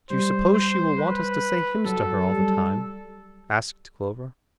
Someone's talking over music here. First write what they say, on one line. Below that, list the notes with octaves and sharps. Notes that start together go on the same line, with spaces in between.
"Do you suppose she will want us to say hymns to her all the time?" asked Clover.
G3 C5
C5
B4
F#3 A4
G3